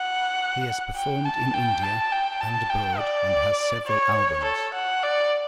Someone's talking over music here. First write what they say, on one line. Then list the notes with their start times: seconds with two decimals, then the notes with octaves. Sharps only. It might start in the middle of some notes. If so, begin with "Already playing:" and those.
He has performed in India and abroad and has several albums.
Already playing: F#5
0.96 G5
1.25 A5
1.54 G5
1.83 A5
2.12 G5
2.41 A5
2.70 G5
2.99 D5
3.86 C#5
4.44 A4
4.74 F#5
5.03 D5